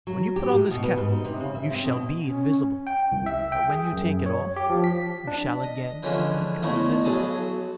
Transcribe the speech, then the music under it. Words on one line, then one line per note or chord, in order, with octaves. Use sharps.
"When you put on this cap, you shall be invisible; but when you take it off, you shall again become visible."
F#3
G4
A2
B2
B4
G#2
D#4
C3
C#3
E5
C4
B2
C#4
G5
C2
E5
G5
G#4
F#2
C#5
G4
F3
B6
D4
D#5
D3 E3 F3 G#3 C#4 D4
E2 A2 C#3 G#3 A3 D#4
B1 F#3 G#4 A4 A5 D#6